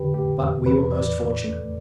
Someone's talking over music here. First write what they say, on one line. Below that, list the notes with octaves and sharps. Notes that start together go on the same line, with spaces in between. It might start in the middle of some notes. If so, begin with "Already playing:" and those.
But we were most fortunate.
Already playing: E2 D3 G4 B4
A3 G4
E2
E2 B4
E2 D5
E2
A3